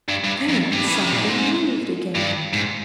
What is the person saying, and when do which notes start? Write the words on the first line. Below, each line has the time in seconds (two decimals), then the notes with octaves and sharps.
Then something moved again.
0.09 G2
0.24 G2
0.49 F2
0.72 G2
0.86 E3
0.95 C#3
1.03 C3
1.11 A#2
1.19 G#2
2.15 G2
2.53 G#2